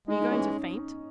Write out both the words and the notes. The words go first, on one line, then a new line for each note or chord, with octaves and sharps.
Are you going to faint?
G#3 D#4
D#4
E3 C#4